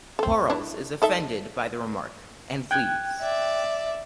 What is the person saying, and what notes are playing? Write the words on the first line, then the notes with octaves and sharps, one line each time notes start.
Quarles is offended by the remark and leaves.
C4 A4
D4 E4
D#4 A4 E5
G5 F#6 G#6
D5 E5